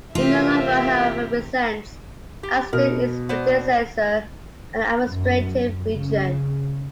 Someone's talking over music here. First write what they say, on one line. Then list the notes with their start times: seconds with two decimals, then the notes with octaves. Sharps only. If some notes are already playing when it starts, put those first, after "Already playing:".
It no longer however represents, as did its predecessor, an administrative region.
0.15 C3 E3 A3 C4 F4 G4 A#4 E5
2.43 G4
2.73 B2 A#4
3.29 B3 C5 D5
5.08 F#2
5.93 C#3